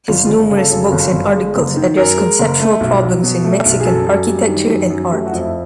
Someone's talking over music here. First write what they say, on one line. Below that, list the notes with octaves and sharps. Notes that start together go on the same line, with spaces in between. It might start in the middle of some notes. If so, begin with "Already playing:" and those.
His numerous books and articles addressed conceptual problems in Mexican architecture and art.
G1 F4
F4
G1
C#3
A4
F#2
G1
G1
G#3
F#1
D#3
F#2 A#4
G#3
F#1
A3
B1
F#3
B2
A3
B1
G#4
F#2 A4
F#2
G3
D#3
F#2
F#2
A3 G4
F#4
F2
E4